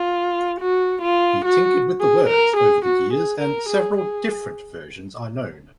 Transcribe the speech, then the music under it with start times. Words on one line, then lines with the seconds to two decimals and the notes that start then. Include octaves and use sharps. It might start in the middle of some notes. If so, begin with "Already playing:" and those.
He tinkered with the words over the years and several different versions are known.
Already playing: F4
0.60 F#4
1.02 F4
1.45 F#4
2.01 G#4
2.29 A#4
2.57 G#4
2.85 F#4
3.13 G#4
3.41 A#4
3.69 G#4
3.97 G#4